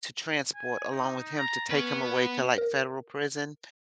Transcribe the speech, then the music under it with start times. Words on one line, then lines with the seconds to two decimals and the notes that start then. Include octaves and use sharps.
to transport along with him to take him away to, like, federal prison.
0.55 G#5
0.91 D#4
1.39 A#5
1.70 B3 C#4 B4
2.58 A#4